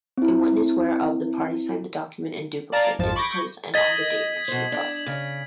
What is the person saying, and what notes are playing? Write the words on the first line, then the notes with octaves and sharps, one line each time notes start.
In witness whereof, the parties sign the document in duplicate, in the place and on the date mentioned above.
C4 E4
D5 F5 A5 A#5 G#6 A6
G#1 F2 F3 A6 E7
B5 C#6 D6 G6 G#6 A#6
D#5 G#6 A6 B6 F#7
B2 C5
D4
C#3